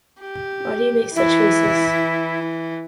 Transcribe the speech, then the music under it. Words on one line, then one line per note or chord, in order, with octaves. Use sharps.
Why do you make such faces?
G4
E3 E4